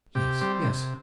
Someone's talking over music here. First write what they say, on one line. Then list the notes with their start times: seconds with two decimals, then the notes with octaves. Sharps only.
"Yes, yes."
0.15 C3 G4
0.41 G3 C4
0.68 C3